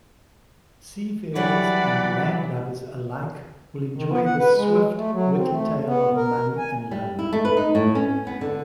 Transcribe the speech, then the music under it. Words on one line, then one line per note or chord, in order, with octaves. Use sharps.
Seafarers and landlubbers alike will enjoy this swift, witty tale of money and love.
E3 F#3 G3 D5 F#5 B5
D#3
B3
F#5
B4
G#3
A3
F#3
C4
A3
B3
A#4
G#5
G3
E4
A3
B4
D#4
A2
C#4
B3
D3